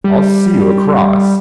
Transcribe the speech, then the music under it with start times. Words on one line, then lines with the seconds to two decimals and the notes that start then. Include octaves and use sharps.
I'll see you across.
0.04 G3